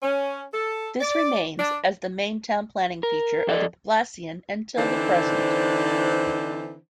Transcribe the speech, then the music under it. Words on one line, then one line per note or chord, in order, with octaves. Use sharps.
This remains as the main town-planning feature of the poblacion until the present.
C#4
A4
D5
D4
A#4
F2 A4 D5 D#5
D3 E3 C4 D4 D#4 C5